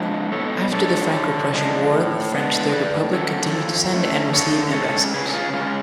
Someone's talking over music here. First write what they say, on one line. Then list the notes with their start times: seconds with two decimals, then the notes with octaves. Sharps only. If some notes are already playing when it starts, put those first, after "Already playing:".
After the Franco-Prussian War, the French Third Republic continued to send and receive ambassadors.
Already playing: F3 G#3 D4
0.32 B2 A4 C#5
0.72 G#3 D4 A4 C#5
1.12 D3
1.53 F3 G#3 B3 D4
1.93 A2
2.32 G#3 B3 D4
2.72 A2 B4 D5
3.13 F#3 C#4 A4 C#5
3.53 F3
3.94 A3 C#4
4.33 D3 A4 C#5
4.73 G#3 C#4 A4 C#5
5.14 C#3 G#4 B4
5.29 A4
5.33 F4 G#4
5.54 G#3 C#4 F4